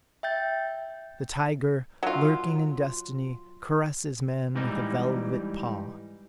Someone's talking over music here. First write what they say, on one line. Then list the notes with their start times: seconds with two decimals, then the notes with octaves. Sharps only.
The tiger, lurking in destiny, caresses man with a velvet paw.
0.23 E5 G5 G6 A6
2.03 F#3 F4
4.55 G#2 E3 G3 D#4